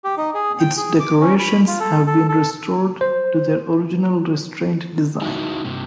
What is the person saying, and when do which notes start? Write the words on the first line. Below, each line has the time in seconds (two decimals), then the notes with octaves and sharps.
Its decorations have been restored to their original restrained design.
0.04 G4
0.17 D#4
0.34 G#4
0.60 G5
0.77 G#4
1.00 D6
1.21 C#4
1.40 B5
1.67 F4
1.80 A4
2.07 A4
2.29 A4
3.01 C5
5.22 G#3 D#4 E4 F#4
5.65 G2 C3